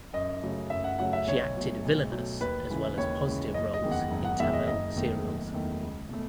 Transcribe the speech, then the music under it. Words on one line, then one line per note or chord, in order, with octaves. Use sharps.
She acted villainous as well as positive roles in Tamil serials.
F#2 D#5
C#3 F#3 A3
F#2 E5
F#5
C#3 F#3 A3 F#5
E5
B1 C#5
B2 F#3 A3
B1
B2 F#3 A3
D#2 B4
C#3 E3 G#3
D#2 C#5
C#3 E3 G#3
F#1 D#5
D#5
E2 D#3 G#3
F#5
F#1
F#5
E2 D#3 G#3 E5
D#5
F#1 D#5
E2 D#3 A3
F#1
E2 D#3 A3
C#2
B2 A3